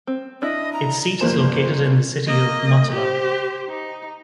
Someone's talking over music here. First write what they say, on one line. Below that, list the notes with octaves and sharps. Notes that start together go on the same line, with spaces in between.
Its seat is located in the city of Motala.
C4
D4 E4 D#5
A#5
G1 F3 A#3 C5 E7
A#3 D#5
G4 C5
D#4